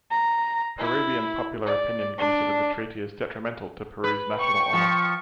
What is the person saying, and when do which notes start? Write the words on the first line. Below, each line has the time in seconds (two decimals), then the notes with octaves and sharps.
Peruvian popular opinion considered the treaty as detrimental to Peru's national honor.
0.11 A#5
0.79 E4
1.66 D5
2.19 D4
4.04 B4
4.35 G5 C#6
4.73 F3